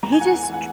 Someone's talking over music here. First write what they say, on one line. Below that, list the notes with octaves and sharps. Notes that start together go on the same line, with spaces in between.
"He just ch
E2 A#5
G#5
E3 F#5
G#5
E2
G#5
E3 F#5